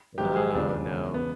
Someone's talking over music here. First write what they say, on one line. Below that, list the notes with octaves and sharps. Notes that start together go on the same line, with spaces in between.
Oh no.
A#1 G#2 D#3 F#3 G4
G#4
E1 D#2 C#3 F3 G#3 D4
E2 C#3 F3 G#3
B3